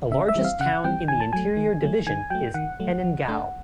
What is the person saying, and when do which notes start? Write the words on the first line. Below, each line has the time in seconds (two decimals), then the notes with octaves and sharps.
The largest town in the Interior Division is Keningau.
0.11 C#3 E5
0.28 E5
0.36 E3 G3 C4
0.44 F5
0.60 C#3 F#5
0.84 E3 G3 C4 G5
1.08 D#3 G#5
1.20 A5
1.33 F#3 A3 G#5
1.57 D#3
1.81 F#3 A3
2.06 D#3 G#5
2.30 F#3 A3 G5
2.54 D#3 F#5
2.80 F#3 A3
3.04 F3
3.28 A3 D4